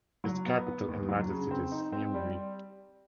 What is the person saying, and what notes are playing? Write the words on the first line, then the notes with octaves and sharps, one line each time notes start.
Its capital and largest city is Siem Reap.
F#3
B3
B3
D#2
F#3
C#3
C4
D#4
C4
G3